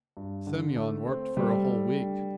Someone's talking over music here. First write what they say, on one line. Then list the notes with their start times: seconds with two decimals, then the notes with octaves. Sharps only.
Semyon worked for a whole week.
0.17 G2
0.47 D3
0.76 A3
1.07 C4
1.36 G3 A3
1.67 A3
1.96 D4